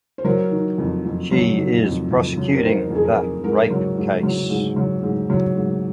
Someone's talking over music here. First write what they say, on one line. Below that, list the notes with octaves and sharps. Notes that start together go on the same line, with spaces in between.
She is prosecuting the rape case.
C5
F#3 A#4
D#3
F2
F2
F#3
D#3
F2
F2
F#3
A#4
D#3 C5
F2 G#4
A#4
F2
G#2 A#4
F#3
G#2
F#3
G#2
F#3
G#2
F#3
G#2